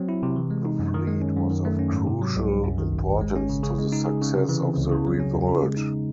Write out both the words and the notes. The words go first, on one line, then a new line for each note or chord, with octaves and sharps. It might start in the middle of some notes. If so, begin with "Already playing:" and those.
The fleet was of crucial importance to the success of the revolt.
Already playing: F#3 C4
E4
C3
E3
G#3
D#4
F#2
D#3
G#3
C#4
F#2
D#3
A3
C#4
G#2
C3
F#3
C2
C2
F#2
D#3
G#1
G#1
G#3
C#4
C#3
C#3
G#3
D#4
G#4
C#3
C3
E3
C4
C#2
C#3
F#3
C#4
E2
C#3
G#3
D#4